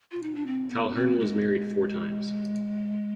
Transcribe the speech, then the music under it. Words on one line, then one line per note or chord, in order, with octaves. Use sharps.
Calhern was married four times.
F4
D#4
D4
C4
B3
C4
G#3